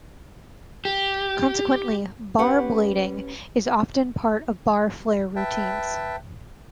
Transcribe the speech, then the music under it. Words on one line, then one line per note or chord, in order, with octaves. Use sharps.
Consequently, 'bar blading' is often part of bar flair routines.
G4
C#4 G4 B4 F#5
B4 E5 G5 A5